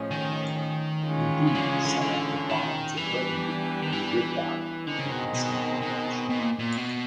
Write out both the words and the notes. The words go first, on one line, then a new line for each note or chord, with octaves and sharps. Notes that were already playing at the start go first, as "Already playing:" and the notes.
Indeed, some of the vines of Burgundy were ripped out to lessen competition.
Already playing: A2 F3 G#3 C#4
D#3
E3 G#3 C#4 F4
C#3
D3
C#3
D3
D3
D#3
E3 G3 B3 D4 G4 B4
D#3
E3
D3 D#3 G#3 C4
C#3
B2
B2
B2
B2
A#2
A#2
B2